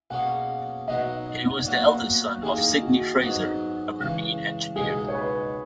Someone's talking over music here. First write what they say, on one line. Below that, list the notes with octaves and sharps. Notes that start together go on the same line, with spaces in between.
He was the elder son of Sydney Fraser, a marine engineer.
B2 A#3 C#4 G#4 F#5
B2 F#3 B3 D#4 D#5
A#2 F#3 B3 F#4 A#4
D#3 A#3 E4 G#4 A#4
F#4
G#2 F#3 B3 D#4
C#2 C#3 E3
C#2 B2 G#3 D#4 G#4
C#5
B4